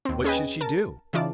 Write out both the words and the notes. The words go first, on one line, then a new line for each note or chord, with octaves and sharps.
What should she do?
D#2 C4
C#4 G#4 B4 D#5 G5
A#4 A5
C#3 E3 D#4 F4 D5 A5